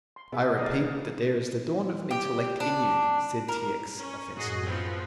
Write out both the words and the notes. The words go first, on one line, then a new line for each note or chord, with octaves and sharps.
"I repeat that there is the dawn of an intellect in you," said T. X., offensively.
C6
B2 B3 G#4 E5
C#2 G3 A#3 G#4 D5 D#5 F5
G4
D4
A#4
C#4
F#2 A2 F#4 G#4 D#5
F3 B3 C4